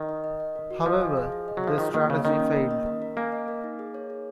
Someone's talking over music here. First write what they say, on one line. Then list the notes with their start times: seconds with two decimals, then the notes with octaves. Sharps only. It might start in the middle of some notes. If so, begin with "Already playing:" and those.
However, this strategy failed.
Already playing: D#3
0.09 D#5
0.24 D#5
0.40 D#5
0.55 A#4
0.71 F#4
0.86 F3 D#5
1.01 G#5
1.17 G#4
1.32 G#4
1.48 D#5
1.57 F#3
1.64 F3 G#4
1.78 D#3 F4
1.94 D#3 A#3
2.10 C#3 A#3
2.25 D#3 C#4
2.40 C#4
2.56 A#3
2.71 D#5
2.86 A#4
3.02 A#4
3.17 A#3 G#5
3.32 D#5
3.48 A#4
3.64 D#4
3.79 G#4
3.94 C#5
4.10 G#4